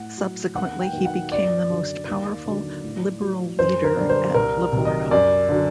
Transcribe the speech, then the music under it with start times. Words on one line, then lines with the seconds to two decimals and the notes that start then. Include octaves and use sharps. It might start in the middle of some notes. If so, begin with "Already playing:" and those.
Subsequently he became the most powerful Liberal leader at Livorno.
Already playing: A2 F#5
0.17 F#3
0.55 D#2 F#5
0.80 G5
0.93 D#3 F#3
1.05 F#5
1.31 F#2 D5
1.69 D3 F#3
2.08 D#2
2.46 D3 F#3
2.83 A2
3.21 F#3
3.59 F#2 C5
3.84 A#4
3.97 D3 G3
4.09 C5
4.35 C2 A#4
4.72 C3 F#3
4.85 D#5
5.11 F#2 D5
5.49 D3 F#3